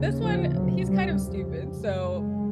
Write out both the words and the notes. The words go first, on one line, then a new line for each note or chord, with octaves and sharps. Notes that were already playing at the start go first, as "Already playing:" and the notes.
this one, uh, he's kind of stupid, so,
Already playing: D#2 C#3
F3
D2 C3 F#3
G3
F2 C#3 G3
F#2 C#3 G#3
G#3